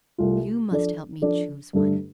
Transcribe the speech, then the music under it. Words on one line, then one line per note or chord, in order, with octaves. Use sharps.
You must help me choose one.
C2 C3 A3 F4
F3 D4 A4 D5
F3 D4 A4 D5
G2 D3 A3 D4 A4